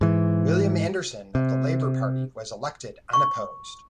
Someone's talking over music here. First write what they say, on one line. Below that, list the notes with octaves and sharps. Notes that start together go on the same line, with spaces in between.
William Anderson of the Labour Party was elected unopposed.
G#2 E3
C3
C#6